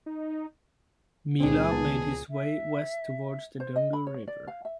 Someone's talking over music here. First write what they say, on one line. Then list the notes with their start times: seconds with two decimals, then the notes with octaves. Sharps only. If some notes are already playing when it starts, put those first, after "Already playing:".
Mila made his way west towards the Dungu River.
0.06 D#4
1.40 C#2 A#2 C4 D4 G#4
1.71 D#3 B3 A5
2.30 E5
3.60 C5
3.76 D#5
3.93 B5
4.07 C#5
4.28 D5
4.47 F5
4.65 E5